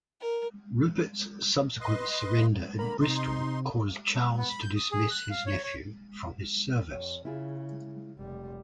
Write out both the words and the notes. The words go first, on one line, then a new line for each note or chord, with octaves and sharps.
Rupert's subsequent surrender at Bristol caused Charles to dismiss his nephew from his service.
A#4
B4 D#5 C6
D3 A#3 A#4 B5
C3 D#4 C6
B3
B5
G6
D#6
G#4
F#6
F5
C#5
C#5
F2 C#5
C#3 E4 F4 G#4
F1 G3